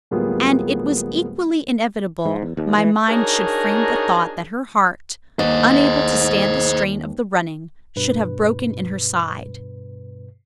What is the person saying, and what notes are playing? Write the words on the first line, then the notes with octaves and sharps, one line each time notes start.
And it was equally inevitable my mind should frame the thought that her heart, unable to stand the strain of the running, should have broken in her side.
D1 G3 A#3 B3 F4 G#4
G#2
E2
D#2
E3
D4 D#4 F#4 G#4 A#4 C#5
D#2 C5 D#5
G2 B2 B4